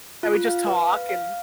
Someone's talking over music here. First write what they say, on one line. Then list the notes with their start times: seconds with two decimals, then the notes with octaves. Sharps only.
And we'd just talk and
0.23 F4
0.45 F5
0.66 B4
0.88 F5
1.09 F5